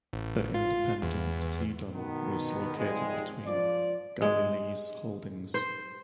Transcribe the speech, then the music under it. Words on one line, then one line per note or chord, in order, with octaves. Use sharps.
The independent Sidon was located between Galilee's holdings.
A1
F4
E2
B2 D#3 B3
C2 G#2 C3 F3 G3 G#3
F3 D5
G#3
C5